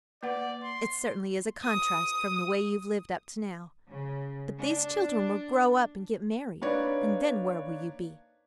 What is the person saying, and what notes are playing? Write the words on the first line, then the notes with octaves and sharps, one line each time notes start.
It certainly is a contrast from the way you've lived up to now. But these children will grow up and get married, and then where will you be?
A#3 B4 D5 F#5
C6
D#6
C#3
D4
A#3 D4 D#4 B4 C#5 D5